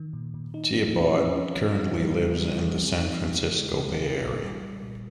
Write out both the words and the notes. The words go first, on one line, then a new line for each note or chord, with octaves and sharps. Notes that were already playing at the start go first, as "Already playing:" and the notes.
Thiebaud currently lives in the San Francisco Bay Area.
Already playing: D#3
A#2
A#2
D#4
C4
F3
C#4
C#4
F3
G3
C#4
C#3
G3
C4
F3
D#4
G#3
C#3
G#3
C#3
C#3
A#2
G3
G3
A#2